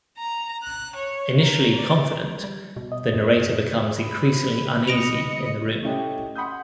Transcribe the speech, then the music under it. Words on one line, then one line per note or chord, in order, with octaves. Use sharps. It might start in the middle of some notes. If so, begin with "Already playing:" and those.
Initially confident, the narrator becomes increasingly uneasy in the room.
A#5
F#6
C#5
A#4
D5
G3
B2
D#5
F#2
B5
D#5 A#6 C#7 D7 F7
A3 C#4 E4 G4 D#5
F#5 B5 C6 D#6 G6